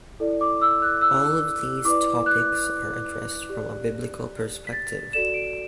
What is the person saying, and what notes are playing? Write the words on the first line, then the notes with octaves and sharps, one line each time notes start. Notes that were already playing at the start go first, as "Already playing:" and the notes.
All of these topics are addressed from a Biblical perspective.
E4 A4 D5
D6
E6
F#6
E6
E4 B4 D5 D6
F#6
G4 D5
B6
A6
F#4 A4 D5 E7
D7